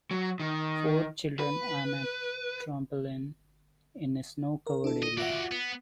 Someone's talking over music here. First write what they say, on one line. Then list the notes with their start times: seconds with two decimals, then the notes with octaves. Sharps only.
Four children on a trampoline, in a snow covered area.
0.11 F#3
0.40 D#3
1.39 B4
4.67 A#4
4.84 D4 E4 A4
5.03 D#5
5.18 F4 F#4 D5 E5 F#5
5.52 B3